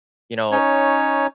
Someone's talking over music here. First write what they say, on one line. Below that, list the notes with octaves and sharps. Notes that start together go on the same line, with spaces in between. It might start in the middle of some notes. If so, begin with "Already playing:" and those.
you know
C#4 D#4 C#5